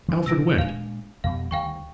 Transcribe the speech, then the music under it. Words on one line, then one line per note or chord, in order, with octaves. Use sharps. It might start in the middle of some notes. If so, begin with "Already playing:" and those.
Alfred went.
E3 C#4
B2 G3 E6 A#6 D7
A#2 G#3 D4 F5 F7
F2 B2 G3 F5
D2 D#3 G3 F5 G5 C#6